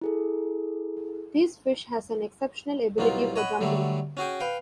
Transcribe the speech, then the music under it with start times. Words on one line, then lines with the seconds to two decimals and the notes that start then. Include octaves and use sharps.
These fish has an exceptional ability for jumping.
0.01 E4 G#4 A4
2.98 C2 B2 F#3 D#4 F4
3.36 C#5 D#5 F#5 B5
3.61 D3 F#3 G3 A3
4.17 C#4 F#4 G#4 G5
4.40 B4 F5 G5